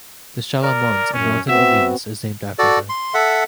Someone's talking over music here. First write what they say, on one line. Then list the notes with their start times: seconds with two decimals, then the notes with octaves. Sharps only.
The Shala Mons, a mountain on Venus, is named after her.
0.63 A#4 D5
1.13 F#2 C#4
1.48 B3 C4 F#4 E5
2.59 F#4 A4 D5
2.89 C6
3.14 A4 E5 F#5